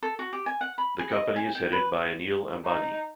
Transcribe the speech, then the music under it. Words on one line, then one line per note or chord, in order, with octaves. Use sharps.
The company is headed by Anil Ambani.
A4
F#4
G4
G#5
F#5
B5
G#4
D#5
G#5
G5
B4
D#4